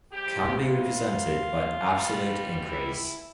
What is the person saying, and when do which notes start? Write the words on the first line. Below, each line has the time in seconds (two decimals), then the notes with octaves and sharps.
Can be represented by an 'absolute' increase.
0.11 C3 G3 G4
0.54 F4
1.80 B2 G3
2.65 E4
2.93 E4